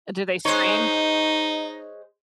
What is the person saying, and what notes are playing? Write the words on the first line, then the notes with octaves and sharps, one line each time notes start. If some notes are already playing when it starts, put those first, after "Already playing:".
Uh, do they scream?
G#3 D#4 C5 C#5